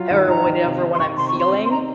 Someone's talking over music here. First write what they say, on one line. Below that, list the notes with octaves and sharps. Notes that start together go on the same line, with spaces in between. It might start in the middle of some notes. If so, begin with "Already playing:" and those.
or whatever when I'm feeling.
Already playing: F#3 F4
D#3
D#3 A#5
D#3
C3
D#3
C6
D#3 C#6
C3 C6
C#6
C4 C6
C4
C6
D#4 A#5